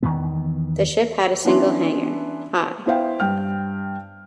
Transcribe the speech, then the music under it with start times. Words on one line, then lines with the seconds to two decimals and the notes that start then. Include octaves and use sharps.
The ship had a single hangar, high.
0.03 E2 D#3 E3 B3
1.45 E3 B3 C#4 D4 E4 C6
2.86 B3 E4 C5 F5 G5
3.20 G2 G5 F6